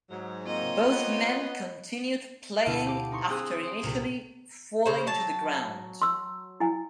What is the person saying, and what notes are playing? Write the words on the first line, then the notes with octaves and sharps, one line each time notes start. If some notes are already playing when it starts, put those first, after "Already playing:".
Both men continued playing after initially falling to the ground.
G#2 F#3
A#3 C4 F4 C#5 D#5
B3
D2 B2 E4 F5 A5 D#7
G4 D6
D#4 C6 C#6
C4 G#4 D#6 E6 F#6
C5 D#6 D7
C2 A#2
C#3 C5
F#3 A5
C6 E6
E4 G#5